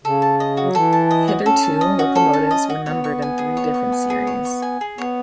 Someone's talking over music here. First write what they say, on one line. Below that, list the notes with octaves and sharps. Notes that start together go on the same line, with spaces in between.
Hitherto, locomotives were numbered in three different series.
C#3 A4
A5
D#5
F#4
F#3
E3 A4
A5
D#5
F#4
C#4 A4
A5
D#5
F#4
A4
A5
D#5
F#4
B3 C#5
C#6
G#5
G#4
C#5
C#6
G#5
G#4
C#5
C#6
G#5
G#4
B3 C#5